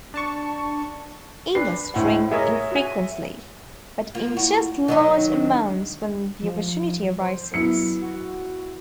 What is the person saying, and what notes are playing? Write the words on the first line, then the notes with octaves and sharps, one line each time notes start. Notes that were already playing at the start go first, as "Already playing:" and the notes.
Emus drink infrequently, but ingest large amounts when the opportunity arises.
D4 A5 C#6
D4 B4 C7
D2 A2 F#5
G#4 A#4 C#5 D#5 E5
F#4 G#5
A#3 F4
E4 F#4
D#3 F#3 D#4 D#5
D4
F3
C5
F#2 B3 E4 C#7
F#4